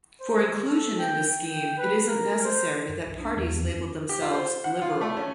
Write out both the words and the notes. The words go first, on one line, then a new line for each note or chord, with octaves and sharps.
For inclusion in this scheme it isn't necessary that parties labelled themselves 'liberal'.
C5
A4
G5
G5
B4
A#4
C5
F#2
B1
D4
E2
F2
G4
F4
C5
F#5
F4
A3
C#4